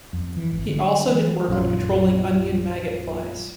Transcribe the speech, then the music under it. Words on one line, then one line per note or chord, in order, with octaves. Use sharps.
He also did work on controlling Onion maggot flies.
F2
E3
G#1
D3
E3
A#1 F#2 F4